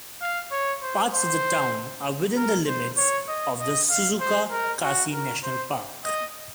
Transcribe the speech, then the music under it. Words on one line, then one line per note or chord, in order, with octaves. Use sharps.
Parts of the town are within the limits of the Suzuka Quasi-National Park.
F5
C#5
C5
C5
A#4
C5
C#5
D#5
D#5
F5
C5
A#4
F#4
A#4
C5
D#5